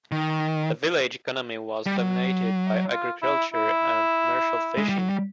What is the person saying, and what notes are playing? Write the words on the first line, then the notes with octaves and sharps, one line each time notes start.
The village economy was dominated by agriculture and commercial fishing.
D#3
G3
F#3
F4
E4
E4
G#3
G3
F#3
G3